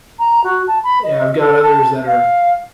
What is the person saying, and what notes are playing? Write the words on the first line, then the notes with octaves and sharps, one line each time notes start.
yeah, I've got others that are
A#5
F#4
A5
B5
D#5
A4
A5
F5